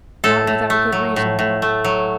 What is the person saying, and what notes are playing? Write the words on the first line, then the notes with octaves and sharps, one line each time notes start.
Not without good reason, though.
A2 A4
A2
A3
F#3
A2
A2
A3
F#3